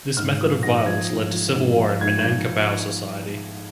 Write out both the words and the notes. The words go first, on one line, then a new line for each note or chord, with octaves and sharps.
This method of violence led to civil war in Minangkabau society.
G#2 F6
F3 D#6
G#2 A#6
F3 G#6
G#2
F3
G#2
F3
G#2 G#6
G#6
F3 G6